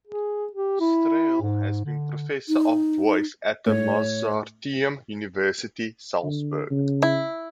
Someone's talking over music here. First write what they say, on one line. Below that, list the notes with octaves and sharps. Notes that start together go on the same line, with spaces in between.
Strehl has been professor of voice at the Mozarteum University Salzburg.
G#4
G4
E4
G#2
D3
D#4
A2 C#5
D3
C#3
E4